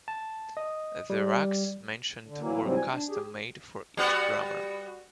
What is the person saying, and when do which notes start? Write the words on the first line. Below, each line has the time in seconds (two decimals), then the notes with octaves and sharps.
The racks mentioned were custom made for each drummer.
0.08 A5
0.57 D#5
1.10 G3
2.27 D3
2.40 E3 F#3 A#3
2.63 G#2 C3 E3 F#3 G3 C4
2.76 G#5
2.92 D4
3.09 G4 G#4
3.97 G3 B3 F#4